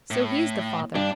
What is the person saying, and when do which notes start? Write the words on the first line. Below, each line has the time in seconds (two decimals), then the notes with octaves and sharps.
"So he is the father."
0.11 A2
0.95 G2 D4